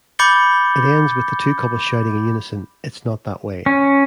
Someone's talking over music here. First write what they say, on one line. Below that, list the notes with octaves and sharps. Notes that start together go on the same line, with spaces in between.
It ends with the two couples shouting in unison It's not that way.
B5 D6 G6 A6 C#7 G7
C#4